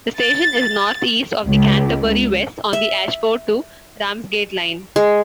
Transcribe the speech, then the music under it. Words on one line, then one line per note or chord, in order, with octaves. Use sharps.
The station is north east of Canterbury West on the Ashford to Ramsgate Line.
A6
C#2
E5
G#3